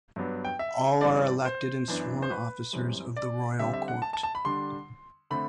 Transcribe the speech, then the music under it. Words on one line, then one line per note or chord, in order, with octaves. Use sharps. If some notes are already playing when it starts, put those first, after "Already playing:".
All are elected and sworn officers of the Royal Court.
G2 F#3 B3 D4
G5
E5
G2 E3 G3 C4 D5
C5
F#2 E3 B3 D4
C5
B4
F#2 E3 G3 C4
D5
D3 G3 C4 E5
E5
F#5
A5
A5
A5
B5
D3 G3 D4 C6
D3 A3 C4 B5